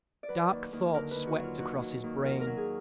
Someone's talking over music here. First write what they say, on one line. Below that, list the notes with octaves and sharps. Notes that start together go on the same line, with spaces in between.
Dark thoughts swept across his brain.
D5
F#3 B4
D#2
D#2
D3 A#4
B4
D#2
F#4
F#3
F4
D#2 F#4
F#3
D#2
F#3 A#4
A#4
F#3
G#4